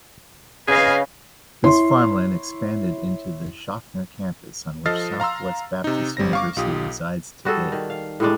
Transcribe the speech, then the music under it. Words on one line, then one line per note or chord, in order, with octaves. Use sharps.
This farmland expanded into the Shoffner Campus on which Southwest Baptist University resides today.
C#3 G#4 B4 D#5 F5
E4 C#5 C6
F3 A4 D#5 F6 A6 C7
F5 A#5 C6 E6
C3 D#4
G1 G3 C4 A#6
F5 C#6 D6
B1 F4 G4 D#6
G3 F#4 G#4 A4
D#3
F5
A2 G3 G#3 D4